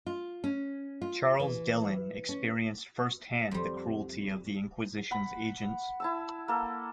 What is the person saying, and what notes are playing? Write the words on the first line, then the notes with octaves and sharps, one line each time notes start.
Charles Dellon experienced first hand the cruelty of the Inquisition's agents.
F4
C#4
F4
E3
C#4
F2 G3
F#5 B5
E4 A5 E6
A#3 A4